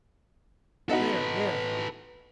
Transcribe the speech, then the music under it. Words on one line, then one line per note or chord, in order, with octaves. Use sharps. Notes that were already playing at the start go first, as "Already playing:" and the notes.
There, there!
B3 D#4 F#4 A4 B4